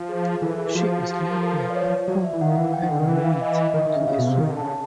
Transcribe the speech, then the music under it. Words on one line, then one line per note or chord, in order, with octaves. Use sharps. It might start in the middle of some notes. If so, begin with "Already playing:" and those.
She is led by her four handmaids to a swing.
Already playing: F3
G#4
E3 A4
G#4
F3 F#4
F#4
G4
A#4
A4
B4
D5
C#5
F#3 D5
F3
E5
E3
D#3 F#5
F5
E3 F#5
G5
D#3 F#5
D3 G5
D#3
E3
F5
D#5
D#5
D#3 D#5
D#3
E5
C#3
C#3 F5
B2
C3
D#3
D3
C#3 A5